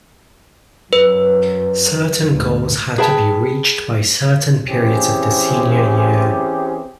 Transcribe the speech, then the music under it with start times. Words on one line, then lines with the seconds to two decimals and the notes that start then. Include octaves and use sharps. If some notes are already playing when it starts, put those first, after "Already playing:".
Certain goals had to be reached by certain periods of the senior year.
0.93 F#2 B4
2.31 D2 G#2
2.98 G#4 B4 G5 A5
4.69 E3 C4 C#4 G4 G#4